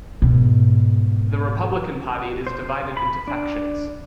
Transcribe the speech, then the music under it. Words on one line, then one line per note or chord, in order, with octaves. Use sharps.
The Republican Party is divided into factions.
G#2 B2
C5
B5
D4